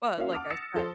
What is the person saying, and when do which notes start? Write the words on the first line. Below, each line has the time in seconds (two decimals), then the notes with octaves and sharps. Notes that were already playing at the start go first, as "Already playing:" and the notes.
But like I said,
0.17 A#3 C#4 E4 F#4 E5 F5
0.32 F#5 A5 D6 D#6 F6 F7
0.50 D#6 E6 A6 A#6 C#7 E7
0.74 F3 A4 C5